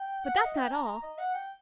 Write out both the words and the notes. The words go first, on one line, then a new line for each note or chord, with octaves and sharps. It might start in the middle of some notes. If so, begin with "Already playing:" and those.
But that's not all.
Already playing: G5
F#5
F#5
D#5
G5
A#5
A#5
D#5
F#5
G5